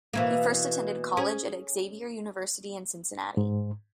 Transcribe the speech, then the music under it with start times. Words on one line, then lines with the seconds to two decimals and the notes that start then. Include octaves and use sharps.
He first attended college at Xavier University in Cincinnati.
0.13 B2 E3 A#3
1.17 C#4 G#4
3.37 G#2